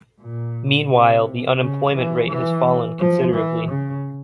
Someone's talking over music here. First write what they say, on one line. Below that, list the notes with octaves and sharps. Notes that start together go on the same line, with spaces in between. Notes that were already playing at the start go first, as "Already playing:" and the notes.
Meanwhile, the unemployment rate has fallen considerably.
A#2
C3
C#3
E3
E3
F3
E3
C#3